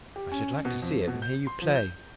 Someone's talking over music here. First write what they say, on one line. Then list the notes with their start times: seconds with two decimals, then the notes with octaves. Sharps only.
"I should like to see it, and hear you play."
0.16 G4
0.32 C#4
0.65 B2
0.82 F2
1.07 B2
1.22 G6
1.47 C6
1.62 F3
1.76 G6